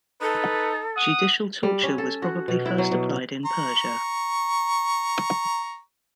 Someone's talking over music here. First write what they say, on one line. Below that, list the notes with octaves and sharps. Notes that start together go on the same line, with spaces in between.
Judicial torture was probably first applied in Persia.
D#4 A4 B4
F#5 D#6
G3
C#4
A4
F#4
B2
E4
F#3
B2
A#5 C#6